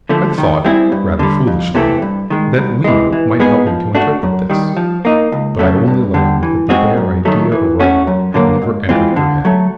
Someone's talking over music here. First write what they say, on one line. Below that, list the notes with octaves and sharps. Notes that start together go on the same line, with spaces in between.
I thought, rather foolishly, that Weena might help me to interpret this, but I only learned that the bare idea of writing had never entered her head.
D3 F3 A3
D#3
G3 C4 E4 G#4
G2
D3 G3
F2
C3 E3 A3 C4
G2
D#3 G#3
C2
C3 E3 G#3
E3
G#3 B3 D#4 G#4
F3
A3 D4 F#4
F#2
D#3 G3
F3
A#3 D#4
C#2
C#3 F#3 A3
G2
D3 G3
E3
G#3 C4 D#4 F#4
F#2
D#3 F#3 A3
E3
A3 C#4 F#4
F#2
D3 F#3 A#3
G#2
E3 G#3 C4 F4
D3
F#3 A3